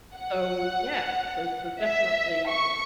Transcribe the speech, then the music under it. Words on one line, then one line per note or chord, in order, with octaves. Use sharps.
so, yeah. So so definitely,
F#5
E5
C#6